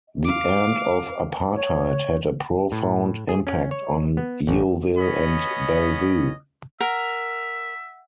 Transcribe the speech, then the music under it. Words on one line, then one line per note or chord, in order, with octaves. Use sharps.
The end of apartheid had a profound impact on Yeoville and Bellevue.
F5 D6
C#5
A2
G#4
C#4
C#5
B3
A1
B3 C#4 D#5 B5
A#4 E5 F#5